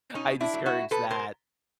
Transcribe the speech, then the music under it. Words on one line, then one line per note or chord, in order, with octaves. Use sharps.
I discourage that,
B2 C#4 D#4
D4 E4
F#3 A3
E4 F#4
B2 A4 B4
A#4 C5